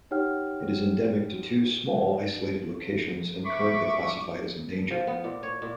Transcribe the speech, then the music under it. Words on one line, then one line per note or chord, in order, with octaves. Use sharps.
It is endemic to two small, isolated locations and currently classified as endangered.
D#4 G4 C#5 F#5 G5 F6
E5 B5 C#6 D6
F3
B3
A#2
C#5
A#2